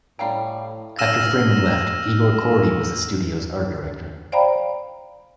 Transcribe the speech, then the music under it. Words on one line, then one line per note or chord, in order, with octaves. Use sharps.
After Freeman left, Igor Kordey was the studio's art director.
A2 G3 C#4 F5 G5 A#5
E6 F6 A#6 D#7 E7
C5 D5 F5 G5 A#5 B5